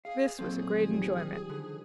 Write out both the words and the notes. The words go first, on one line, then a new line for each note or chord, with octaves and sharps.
This was a great enjoyment.
G#4 F5
A#2 F#3 C4 A4
G#4
D#3 F3 G3
D3